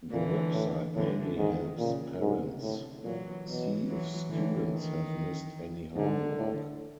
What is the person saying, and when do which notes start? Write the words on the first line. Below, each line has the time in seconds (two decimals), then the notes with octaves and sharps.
The website mainly helps parents see if students have missed any homework.
0.12 A#2 D3 E3
0.53 A2
0.95 A2 D3 E3
1.36 G#2 D#3
1.78 A#2 C#3
2.20 G#2 C3
2.62 A2 D3
3.03 A#2 E3 F#3
3.45 B2 E3 F#3
3.87 E3 F#3
4.29 A2 D3 E3
4.71 D#3
5.96 G#2 D3
6.38 A2